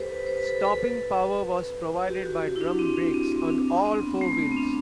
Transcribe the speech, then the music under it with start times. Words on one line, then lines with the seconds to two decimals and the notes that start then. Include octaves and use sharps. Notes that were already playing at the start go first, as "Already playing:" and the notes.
Stopping power was provided by drum brakes on all four wheels.
Already playing: G4 A4 B4 C5
0.11 B4
0.27 C5
0.37 B4
0.47 A4
0.61 B4
0.65 A4
2.03 F#4
2.07 G4
2.26 F#4
2.43 F#4
2.56 E4
2.61 D4
2.72 D4
2.79 C4
2.96 D4
3.14 C4
3.32 C4
3.50 D4
3.68 D4
3.86 C4
4.03 B3
4.21 A3
4.33 A3
4.39 B3
4.52 C4
4.57 D4